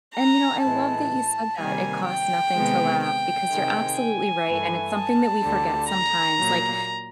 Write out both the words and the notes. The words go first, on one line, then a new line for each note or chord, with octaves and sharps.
And you know, I love that you said that "It costs nothing to laugh," because you're absolutely right, and it's something that we forget sometimes. Like,
A#5
A2 E3 G#3 A5
C3 D#3 G3 A#3 G#5
G5
C3 D#3 G#3 B3
G5
C3 D#3 G#3
G#5
G2 E3 A3
A5
D2 D3 G3
A#5
A#2 F#3 A#3